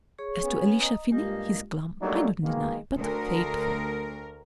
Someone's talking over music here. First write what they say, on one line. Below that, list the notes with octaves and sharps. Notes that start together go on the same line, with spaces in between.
As to Elisha Finney, he's glum, I don't deny, but faithful!
G#4 C#5 C#6
B3 C#4
D#5 A#5 D#6
G2 G#3 A#3 F4 G4 D#5
F#3 G3 A3 A#3 D4 D#4
B2 D#3 G#3 A#3
D2 A#4